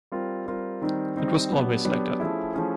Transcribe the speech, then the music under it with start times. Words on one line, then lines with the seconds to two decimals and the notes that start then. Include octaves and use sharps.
It was always like that.
0.12 G3 C4 F4 A#4
0.46 G3 C4 F4 A#4
0.82 D#3 G3 C4 D#4
1.16 D#3 G3 C4 D#4
1.50 F#3 B3 D4 G4
1.85 F#3 B3 D4 G4
2.20 F3 A3 C#4 E4 G#4
2.54 F3 A3 C#4 E4 G#4